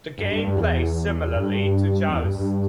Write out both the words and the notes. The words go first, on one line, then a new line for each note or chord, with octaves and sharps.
The game plays similarly to Joust.
G2
G2
G2
E2
G2
E2
G2
G2